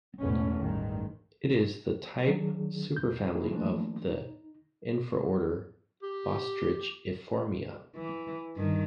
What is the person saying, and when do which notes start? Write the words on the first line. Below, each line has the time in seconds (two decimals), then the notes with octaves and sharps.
It is the type superfamily of the infraorder Bostrichiformia.
0.22 A1 E2 G#2 B2 A3 C#4
0.58 A1 G2 D#3 G#3
2.27 D#3 F#3 D4 G#4
2.96 E2 A#2 G6
3.35 A#3 D#4 E4 G#4 A4
3.51 E3 F3 A3 A#3 D4
4.07 D#4
6.03 G4
7.96 E3
8.56 G2 D#3